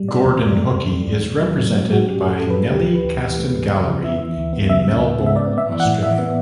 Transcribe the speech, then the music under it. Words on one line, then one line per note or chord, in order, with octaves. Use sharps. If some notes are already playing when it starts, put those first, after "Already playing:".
Gordon Hookey is represented by Nellie Castan Gallery in Melbourne, Australia.
Already playing: G3
B2 D5
E2
E2
A3
E2
A3
E2
B2
F#3
A2
F#3
A2 F#4
C#4 G4
A2
A4
A2 A4
B4
F#3
D2 G4
E3
B4
D2
E3
A3
A3
C#3
C#3
B3 E5
E3
D2
B3
C#3 E5
D2
B3
C#3
E5
B3 D5
B3 E5
E3
F#5
A2
E3 E5
B3